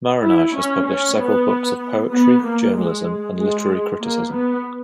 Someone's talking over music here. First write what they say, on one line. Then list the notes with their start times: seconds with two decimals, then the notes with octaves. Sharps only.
Marinaj has published several books of poetry, journalism, and literary criticism.
0.22 E4
0.55 C#4
0.86 C#4
1.17 B3
2.12 B3
2.43 A#3
2.76 G#3
3.38 G#3
4.02 A#3
4.33 B3